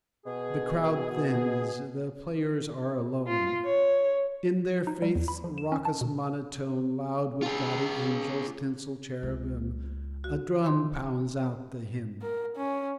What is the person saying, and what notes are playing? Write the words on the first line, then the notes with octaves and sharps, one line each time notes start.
The crowd thins, the players are alone; In their faith's raucous monotone, Loud with gaudy angels, tinsel cherubim, A drum pounds out the hymn.
B2 G#4
F4
C#5
D#4
G3
E2
B5
F3
E7
C#4
A5
B2
F4 G#4
C#2
F#4
D#3 C6
A#4
C#4